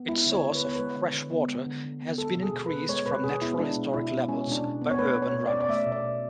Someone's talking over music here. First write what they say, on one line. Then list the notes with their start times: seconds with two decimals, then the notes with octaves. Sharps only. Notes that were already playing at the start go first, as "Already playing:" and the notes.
Its source of freshwater has been increased from natural historical levels by urban runoff.
Already playing: B3
0.09 G#3 E4
0.26 D3
0.32 C#5
0.43 D3
0.55 B4
0.60 B3 C#5
0.75 G#3 B4
0.96 D3
1.14 D3
1.31 B3
1.49 G#3
1.66 D3
1.84 D3
2.02 B3
2.18 G#3 A4
2.36 B2
2.43 G#4
2.54 B2
2.66 B4
2.72 B3
2.88 G#3 C#5
3.06 B2 B4
3.23 B2 G#4
3.41 B3 E4
3.58 G#3 D4
3.76 B2
3.94 B2 E4
4.12 B3
4.29 G#3 C#4
4.47 B2 D4
4.64 B2
4.82 B3
4.91 C#5
4.99 A3 B4
5.16 B2
5.22 C#5
5.34 B2
5.46 D5
5.52 C#4
5.61 D5
5.68 A3 E5
5.86 B2
5.92 D5
6.04 B2